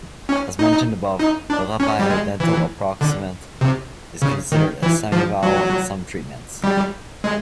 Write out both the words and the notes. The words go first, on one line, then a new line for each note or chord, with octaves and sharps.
As mentioned above, the labiodental approximant is considered a semivowel in some treatments.
C#4
D#4
D#4
D4
C#4
G3
G#3
E3
D3
C3
C#3
D#3
E3
F3
F#3
G3
G#3